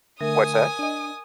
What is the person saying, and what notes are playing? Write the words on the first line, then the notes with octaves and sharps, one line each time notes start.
What's that?
D3 A3 A#4 E5 G#5 D#6
D4 D#5